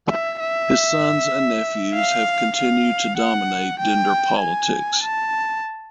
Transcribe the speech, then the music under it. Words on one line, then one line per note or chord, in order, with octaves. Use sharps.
His sons and nephews have continued to dominate Dinder politics.
E5
E5
F5
F5
F#5
G5
G#5
A5